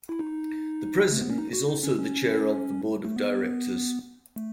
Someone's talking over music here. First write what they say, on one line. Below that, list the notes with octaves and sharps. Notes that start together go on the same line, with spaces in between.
The President is also the chair of the board of directors.
E4
D#4
A3
B3
C#4
D#4
F#4
D#4
C#4
C#4
A3
B3
A3